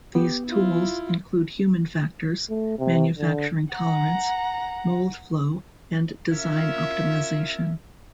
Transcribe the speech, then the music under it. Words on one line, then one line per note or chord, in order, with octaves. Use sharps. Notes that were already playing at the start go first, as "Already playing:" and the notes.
These tools include human factors, manufacturing tolerance, mould flow and design optimization.
B3 G4
E4 F4
A3
C3
D3
F#5 A#5
C#4 F4 A#4 E5